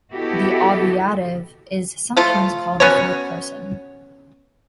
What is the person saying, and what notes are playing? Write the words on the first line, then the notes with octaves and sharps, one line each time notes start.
The obviative is sometimes called the fourth person.
B3 E4 F#4 G4 A4 D#5
F3 A3 F4
B3 C#4 F#4 C#5